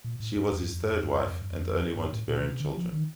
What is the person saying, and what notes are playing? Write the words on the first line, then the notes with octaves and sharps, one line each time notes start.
She was his third wife and the only one to bear him children.
A#2
A2
G2
F2
G2
F2
G2
F2
G2
F2
G2
F2
G2
F2
G2
A2
A#2
D3
C3
D3
F3
D#3